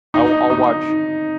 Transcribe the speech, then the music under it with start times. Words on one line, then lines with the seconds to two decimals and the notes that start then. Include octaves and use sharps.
I'll I'll watch
0.14 D#4
0.50 D#4